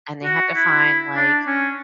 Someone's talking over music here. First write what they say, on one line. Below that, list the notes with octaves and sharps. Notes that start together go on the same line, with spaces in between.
and they had to find, like,
F#4
E4
D4
C#4